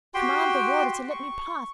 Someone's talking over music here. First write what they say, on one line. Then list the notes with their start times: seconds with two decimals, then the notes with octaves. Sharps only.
Command the Warder to let me pass.
0.14 F#4 G4 G5 C6
1.10 C#6